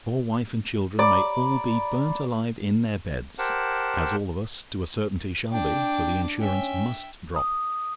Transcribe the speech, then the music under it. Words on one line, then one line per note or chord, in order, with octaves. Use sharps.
Your wife and children may all be burnt alive in their beds--as all of us to a certainty shall be, for the insurance MUST drop.
D5 A#5 B5
G4 A#4 C5 F#5 A5
D4 G5 D6
C#4 E5 G5
D#6